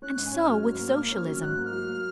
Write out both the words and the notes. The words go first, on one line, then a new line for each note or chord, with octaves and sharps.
And so with Socialism.
C#4 F#6
G#2 F#6
G#5
C#4 F6
F#3
G#2
A#3
A#3
C#4
F#3
G#2 F#6
A#3
F6
F#3
A#3